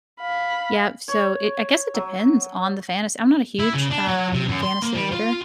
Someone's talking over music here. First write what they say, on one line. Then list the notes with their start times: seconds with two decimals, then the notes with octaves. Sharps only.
Yep, so it I guess it depends on the fantas I'm not a huge, um, fantasy reader.
0.20 F5 B5
1.08 C#5
1.94 F#3
3.59 E4
3.73 C#3
3.90 D4
4.08 F#3
4.33 C3
4.48 F#2
4.62 C6
4.82 A#3
4.94 G3
5.12 F4